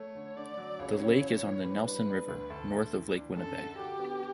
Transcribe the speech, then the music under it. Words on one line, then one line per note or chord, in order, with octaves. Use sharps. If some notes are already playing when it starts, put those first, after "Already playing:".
The lake is on the Nelson River north of Lake Winnipeg.
Already playing: A3 C#5
D3
D3 D5
F#3
C#2 C#5
C#4
A2
E3
G3 B4
D4
D4
D2
D2 A4
D2
E3
D4
F#2 A4
D3
F#4 G4
B3